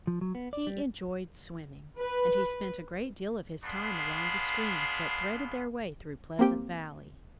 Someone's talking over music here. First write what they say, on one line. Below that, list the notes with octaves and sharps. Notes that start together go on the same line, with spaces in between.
He enjoyed swimming. And he spent a great deal of his time along the streams that threaded their way through Pleasant Valley.
F3
F#3
B3
D5
G3
B4
B3 D4 G#4 F5 B5 C6
A#3 C4 G4 G5